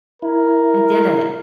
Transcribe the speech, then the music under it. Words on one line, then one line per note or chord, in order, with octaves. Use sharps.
I did it.
E4 A#4